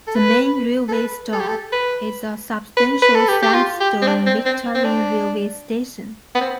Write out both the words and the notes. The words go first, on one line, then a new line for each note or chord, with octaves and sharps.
The main railway stop is a substantial sand-stone Victorian railway station.
A4
B4
A4
B4
A4
G4
A4
B4
B4
B4
A4
G4
G4
F4
G4
C4
D4
C4
C4
C4
D4
B3
C4